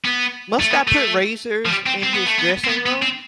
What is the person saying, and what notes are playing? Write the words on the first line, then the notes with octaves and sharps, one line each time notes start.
Must I put razors in his dressing-room?
B3
A3
B3
A3
F3
G3
C4
C4
B3
A3
B3
C4
B3
B3
C4